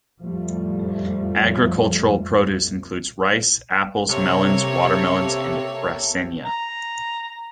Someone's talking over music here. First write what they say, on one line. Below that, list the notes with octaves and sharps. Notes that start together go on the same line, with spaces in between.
Agricultural produce includes rice, apples, melons, watermelons, and Brasenia.
F2 A2 F3 G3 A3
C3 A#3 G4 A4 C#5 E5
A#5